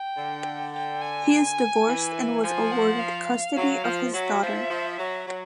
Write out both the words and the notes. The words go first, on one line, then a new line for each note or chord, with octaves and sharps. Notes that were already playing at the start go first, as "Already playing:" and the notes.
He is divorced and was awarded custody of his daughter.
Already playing: G5
D3
G5
G#5
E3
F3 G#5
F#5
F5
F#3
F3
F#3 E5
F3
F3
F#3
F#3